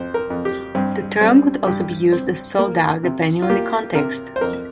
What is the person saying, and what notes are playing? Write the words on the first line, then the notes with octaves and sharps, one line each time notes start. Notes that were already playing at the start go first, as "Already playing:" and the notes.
The term could also be used as 'sold out' depending on the context.
Already playing: F2 C5
A#4
F2
G4
G2 C4
G3 C4
G2 G4
C4
A#3
C3
F4
A#3 G4
C3 A#4
C5
F2 A#4